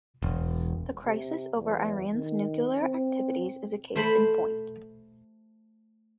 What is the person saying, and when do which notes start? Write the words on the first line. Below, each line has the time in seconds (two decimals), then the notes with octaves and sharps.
The crisis over Iran's nuclear activities is a case in point.
0.22 E1
1.06 C3
1.57 E2
2.13 D#3
2.82 C4
3.96 A3 C5 B5